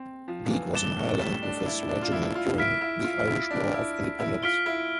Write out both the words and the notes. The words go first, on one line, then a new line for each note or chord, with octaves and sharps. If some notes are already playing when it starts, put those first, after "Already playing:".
Beak was in Ireland with his regiment during the Irish War of Independence.
Already playing: C4
F3
F3
E3
G2 D6 A6 E7 G7
A2
G3
D4
E4
D4
F4
E4
F4
E4 F6 B6 D7
E4
F4
E4
D4
E4
E4
F4 F6 B6 D7 G7
E4